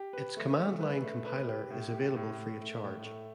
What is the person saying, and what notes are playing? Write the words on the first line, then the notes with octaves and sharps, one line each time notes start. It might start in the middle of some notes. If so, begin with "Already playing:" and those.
Its command-line compiler is available free of charge.
Already playing: G4
B4
A3
A3
B4
A3
B4
G4
A2
G4
A2
A3
A3
A2
A3